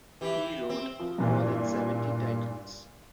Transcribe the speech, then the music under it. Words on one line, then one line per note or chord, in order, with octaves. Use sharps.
He wrote more than seventy titles.
E3 G4
C4
F3
G2 A#2 E3